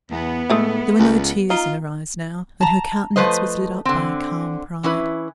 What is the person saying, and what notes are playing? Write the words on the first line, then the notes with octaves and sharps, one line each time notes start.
There were no tears in her eyes now, and her countenance was lit up by a calm pride.
E2 B3
A2 G#3 A3 E4
C#2
D#4 F4
A5 A#5
F3 A3 B4 C5 D#5
D3 C4
E3 C#4 E4 B4